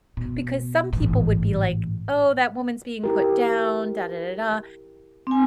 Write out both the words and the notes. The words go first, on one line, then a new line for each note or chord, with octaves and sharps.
Because some people would be like, "Oh, that woman's being put down, da, da, da, da."
B2
A1 G#2
E4 G4 A#4
C4 G#5